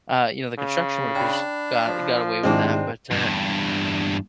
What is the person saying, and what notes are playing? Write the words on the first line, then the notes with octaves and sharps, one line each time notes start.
uh, you know, the construction workers got got away with that, but, uh,
C#3
D4 G5 B5
F3
G#2 C3 D#3 G#3 C4 D4 E4
E2 G2